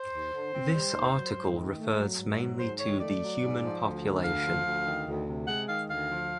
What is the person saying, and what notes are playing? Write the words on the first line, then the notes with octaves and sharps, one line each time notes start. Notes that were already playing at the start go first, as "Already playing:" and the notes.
This article refers mainly to the human population.
Already playing: C5
D#2
D3
C4
G3
D#2
F#3
G#2
D#3
A3
F#3
G#2
F#3
G#2 C5
D#3 C#5
A3 D5
F#3
G#2
F3
D2
D3
D2 F5
F3
D2
D#3
D2
C3
G#3 F#5
D#3 F5
D2 F5
F3